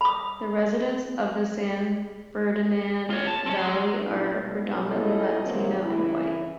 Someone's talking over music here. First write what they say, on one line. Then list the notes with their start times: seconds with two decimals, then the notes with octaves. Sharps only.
The residents of the San Fernando Valley are predominantly Latino and White.
0.01 B5 D#6
3.10 F4 C#5
3.27 A5
3.46 C4 C#4
3.58 G#4 C6
4.05 A#2 F#3 G3 C#4 D4 E4
4.42 B2
4.87 G3 C#4 E4 F4 A4 D#5
5.42 G2 C3 D#3 F#3 G#3 A#3
5.85 G2 C#3 E3 E4